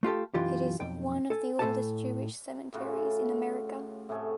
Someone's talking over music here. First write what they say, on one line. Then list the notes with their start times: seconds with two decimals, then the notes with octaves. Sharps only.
It is one of the oldest Jewish cemeteries in America.
0.03 A3 F4 G4 A4
0.34 B1 F#2 E3 F4 G4
0.80 B1 F2 G5
1.30 A4 G#5
1.59 A2 A3 G4 A4 G#5 A5
2.74 A2 C#3 F4 F#4
4.09 A2 C3 A3 G#4